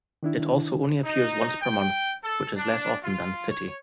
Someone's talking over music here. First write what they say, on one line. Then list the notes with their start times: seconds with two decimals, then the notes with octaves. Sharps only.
It also only appears once per month, which is less often than "City".
0.23 D#3 D4 E4
1.04 D#4
1.60 G5
2.23 A4
2.56 D4
3.03 F4
3.49 C#5